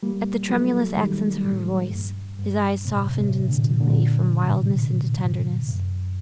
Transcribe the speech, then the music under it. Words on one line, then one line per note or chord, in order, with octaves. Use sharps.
At the tremulous accents of her voice, his eyes softened instantly from wildness into tenderness.
G3 A#3
F#3 A3
D#3 G3
A2
G2
G2
A2 C3
A2 C3
A#2 D3
A#2 D3
A2 C3
G2
F#2